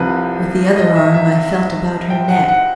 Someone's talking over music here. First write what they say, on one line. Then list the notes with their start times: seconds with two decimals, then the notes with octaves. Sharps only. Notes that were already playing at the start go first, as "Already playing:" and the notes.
With the other arm I felt about her neck.
Already playing: C2 C3 F3 B4
0.76 D#5
0.95 E5
1.14 E5
2.10 G5
2.29 F#5
2.48 F#5